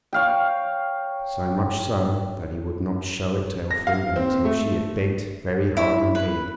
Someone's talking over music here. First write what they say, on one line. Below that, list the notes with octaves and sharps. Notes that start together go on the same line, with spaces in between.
So much so, that he would not show it to Elfrida until she had begged very hard indeed.
C#5 F5 G5
A#6
F5
C4
A3
E4
B4